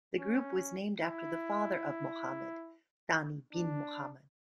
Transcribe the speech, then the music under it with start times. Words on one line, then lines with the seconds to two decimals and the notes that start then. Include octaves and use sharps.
The group was named after the father of Mohammad, Thani bin Mohammad.
0.18 C#4
1.02 E4
3.53 D4